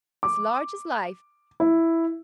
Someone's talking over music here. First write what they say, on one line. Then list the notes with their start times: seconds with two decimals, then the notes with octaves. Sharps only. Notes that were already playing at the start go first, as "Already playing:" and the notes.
"As large as life."
0.23 D6
1.60 E4